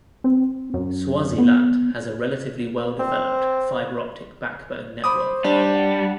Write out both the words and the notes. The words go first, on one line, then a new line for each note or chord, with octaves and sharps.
Swaziland has a relatively well-developed fibre optic backbone network.
C4
F#2
B3
C4
C5 B5 D6 D#6
G3 D4
D5 F#5